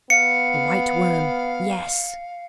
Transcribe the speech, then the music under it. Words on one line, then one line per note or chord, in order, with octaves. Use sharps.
"The White Worm--yes!"
B3 F5 C#7